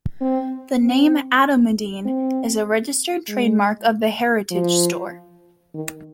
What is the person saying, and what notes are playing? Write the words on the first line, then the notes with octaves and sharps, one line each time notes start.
The name Atomidine is a registered trademark of The Heritage Store.
C4
C4
C4
G#3
F3
D#3